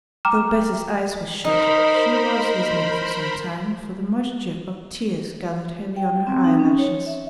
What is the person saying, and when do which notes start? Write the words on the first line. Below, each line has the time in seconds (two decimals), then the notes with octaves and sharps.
Though Bessy's eyes were shut, she was listening for some time, for the moisture of tears gathered heavy on her eyelashes.
0.25 G5 A#5 D6 F6 E7
1.45 D#4 A#4 C5 B5
5.96 G5
6.27 C4
6.44 D#4
6.59 C#4
6.79 C#5
7.06 E5